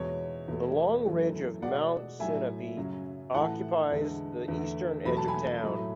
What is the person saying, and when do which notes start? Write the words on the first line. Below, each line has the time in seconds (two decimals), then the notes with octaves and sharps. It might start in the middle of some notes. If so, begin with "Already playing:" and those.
The long ridge of Mount Sunapee occupies the eastern edge of town.
Already playing: E2 B2 G#3 C#5
0.48 E2 B2 A3
1.06 F#2 E3 A3
1.62 B2 G#3 D5 F#5
2.20 A2 F#3 A3 E5 G#5
2.77 F#2 C#3 F#3
3.34 A2 E3 A3 F#5 A5
3.91 E2 D3 G#3
4.48 E2 D3 A3
5.05 E2 B2 F#3 A3 B5
5.17 A5
5.28 G#5 B5
5.63 A2 F#3 A3